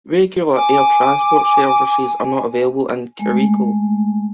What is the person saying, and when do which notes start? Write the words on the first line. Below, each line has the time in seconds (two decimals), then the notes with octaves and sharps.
Regular air transport services are not available in Kericho.
0.57 G#5 D6
3.19 G#3 A3